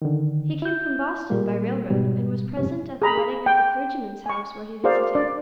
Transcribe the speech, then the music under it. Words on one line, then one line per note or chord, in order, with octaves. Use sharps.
He came from Boston by railroad, and was present at the wedding at the clergyman's house where he visited.
D3 D#3
E4 G6
A#2 G3 A#3
G#2 B2 G3
F2 G#2 C3 C#4
G#4 A#5 B5
G#4
G5
G#5 C#6
F#4 G#4 A#4 C5 D5 F5
D4 D5